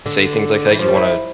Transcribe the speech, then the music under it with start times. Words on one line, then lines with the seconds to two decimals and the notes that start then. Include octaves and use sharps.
say things like that, you want
0.06 D3
0.71 E3
0.79 F3
0.88 G3
0.95 E4